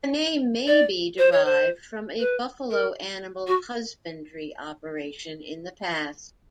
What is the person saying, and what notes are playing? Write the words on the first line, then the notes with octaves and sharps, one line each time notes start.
The name may be derived from a buffalo animal husbandry operation in the past.
D5
C5
C#5
C5
B4
A#4
F#4